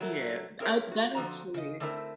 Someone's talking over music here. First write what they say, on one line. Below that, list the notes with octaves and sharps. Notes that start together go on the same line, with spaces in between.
Yeah, I that actually,
F#3 A3 A#4
C4 G#4 A#4 C#5 E5
F4 F#4
D3 F3 C4 F#4 A#5
C#3 D#5
D3 A3 C4 E4 A#4